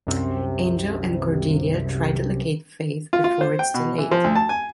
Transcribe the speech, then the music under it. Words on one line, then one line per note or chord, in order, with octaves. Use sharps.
Angel and Cordelia try to locate Faith before it's too late.
C2 F#2 C3
F4
F4
C5
G5
B2
E3
F3
D2
A5
G#5